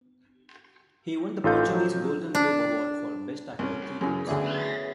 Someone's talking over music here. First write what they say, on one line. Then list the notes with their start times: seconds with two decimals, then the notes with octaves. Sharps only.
He won the Portuguese Golden Globe award for best actor three times.
1.44 A1 D#4 F4 A4 F5 G6
1.68 F3 F#3
2.35 D4
3.59 C2 C#4
4.01 F#2 C#3 E3 C#4 G#4
4.27 D2 C#3 E3 B3 G#4 D5